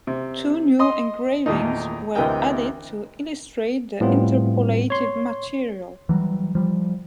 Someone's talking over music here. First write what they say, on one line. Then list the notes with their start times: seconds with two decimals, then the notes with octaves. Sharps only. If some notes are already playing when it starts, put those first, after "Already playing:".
Two new engravings were added to illustrate the interpolated material.
0.07 C3
0.79 D#5 C6 D#6
1.46 E2 A#2 D#3 A3 D#4
2.15 D2 C3 E3 A#4 D#5 G5
4.01 A2 G3 B3 C4 F4
4.90 C#5 C6
6.09 E3 F#3 G3
6.55 F3 G3